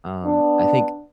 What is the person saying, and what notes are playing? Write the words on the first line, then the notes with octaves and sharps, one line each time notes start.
Um, I think
B3 D4